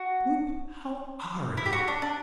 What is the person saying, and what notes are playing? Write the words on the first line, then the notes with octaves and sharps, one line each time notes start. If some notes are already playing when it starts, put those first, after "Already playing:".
Whoop! How are you!
Already playing: F#4
E4
G4
F#4
D4
D4